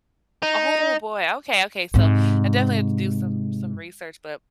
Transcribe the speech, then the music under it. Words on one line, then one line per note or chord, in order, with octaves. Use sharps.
Oh, boy, okay, okay, so I definitely have to do some some research, but
D#4
G#2 C3